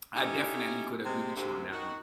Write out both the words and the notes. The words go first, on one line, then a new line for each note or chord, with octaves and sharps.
I definitely could agree with you on that one.
C#4 D#4 E4 G4 A4
C3 G#3
D2 C3
D#3 F#4